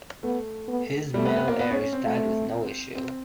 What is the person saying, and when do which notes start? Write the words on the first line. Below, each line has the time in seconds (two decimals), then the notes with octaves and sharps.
His male heirs died with no issue.
0.23 A3 B3
0.68 B3
1.14 G3 A3
1.25 B3
1.36 B3
1.48 A#3
1.59 B3
1.71 C#4
1.82 C#4
1.93 C4
2.05 A3
2.95 C4